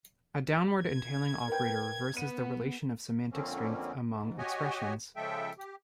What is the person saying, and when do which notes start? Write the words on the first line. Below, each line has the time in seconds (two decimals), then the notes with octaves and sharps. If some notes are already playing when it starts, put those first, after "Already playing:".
A downward entailing operator reverses the relation of "semantic strength" among expressions.
0.82 G#6
1.48 A#4 B4 G5
2.17 B3 D#7
3.32 F2 D3 F3 A#3 C4 C#4
4.11 G#2
4.38 F#4 G4 C#5 D#5 G#5
5.16 C#3 F3 G#3 A4 E5 G5
5.58 G4